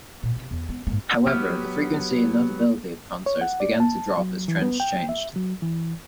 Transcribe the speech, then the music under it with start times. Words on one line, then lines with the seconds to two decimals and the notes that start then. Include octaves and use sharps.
However, the frequency and notability of concerts began to drop as trends changed.
0.23 A#2
0.36 C3
0.51 E2
0.69 B3
0.87 G#2 A#3
1.27 F#3 B3 G4 F6
3.26 C#5
3.41 F#5
3.60 D5
3.80 A5
4.18 F#3
4.48 E3
4.62 B3
4.80 G5
5.09 E5
5.36 F#3
5.62 E3